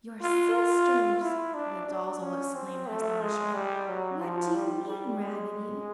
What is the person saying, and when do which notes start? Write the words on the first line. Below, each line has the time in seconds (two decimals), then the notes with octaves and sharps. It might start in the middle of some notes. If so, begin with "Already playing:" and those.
"Your SISTERS!" the dolls all exclaimed in astonishment, "What do you mean, Raggedy?"
0.21 F4
0.54 F4
1.21 E4
1.54 D4
1.87 D4
2.21 C#4
2.55 C4
2.88 A3
3.22 G#3
3.54 G3
3.89 F#3
4.21 F3
4.55 G3
4.88 G3
5.21 G#3